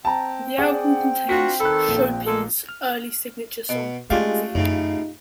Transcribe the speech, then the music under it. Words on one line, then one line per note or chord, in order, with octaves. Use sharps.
The album contains Chapin's early signature song Taxi.
C4 G5 A5 A#5
G#4 D5 F#5
D4 F4 F#4 B6
D#3 A4 B5 F#6
A#1
G#3 A#3 A4
F6
B2
G#3 A3 C#4 D4 F4 G4 F5
F#2 A2 C#3 D#4